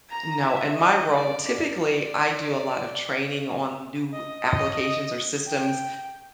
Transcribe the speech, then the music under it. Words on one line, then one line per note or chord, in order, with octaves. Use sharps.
No, in my role, typically, I do a lot of training on new applications or systems,
A#5
E5
D#5
D5
D5
D5
D#5
D#5
D#5
G5